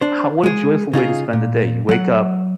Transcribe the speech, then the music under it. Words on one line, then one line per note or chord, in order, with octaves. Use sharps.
how what a joyful way to spend the day. You wake up,
D4 C5
G#3 G#4
C#3 D#4 F4 G#4
A#2
F#3 F#5